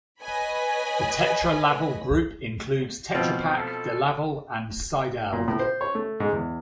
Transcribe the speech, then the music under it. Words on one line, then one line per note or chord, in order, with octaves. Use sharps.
The Tetra Laval Group includes Tetra Pak, DeLaval and Sidel.
B4 C#5 D#5 G#5 B5
B2 F3 C4
A4
A#2
A2
C5
C#5
A3
G#2
E2